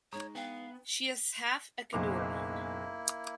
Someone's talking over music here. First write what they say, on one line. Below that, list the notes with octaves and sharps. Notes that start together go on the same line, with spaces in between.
She is half Ecuadorian.
G#3 D#4 C#5 A#5 C#6 D#6
B3 D4 F5 G5
F#1 B1 A#3 E4 D6